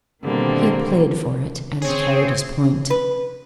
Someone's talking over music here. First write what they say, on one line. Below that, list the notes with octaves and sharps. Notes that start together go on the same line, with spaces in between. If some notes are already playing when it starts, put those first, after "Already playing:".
He had played for it, and carried his point.
B2 D3 D#3 G3 A#3 C4
C4 G#4 C#5
B4